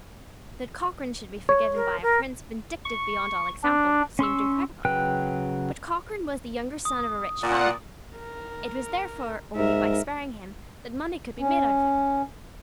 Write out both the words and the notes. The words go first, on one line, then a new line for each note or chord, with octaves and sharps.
That Cochrane should be forgiven by a prince vindictive beyond all example, seemed incredible. But Cochrane was the younger son of a rich family; it was therefore only by sparing him that money could be made out of him.
C#5
A#4
A#4
C#6
D4
C#4 C6 C#6 E6
C#3 F#3 B4 G5 F#6
D#6
A#2 F4 D5 F#5
A#4
G#2 A#4 E5
C#4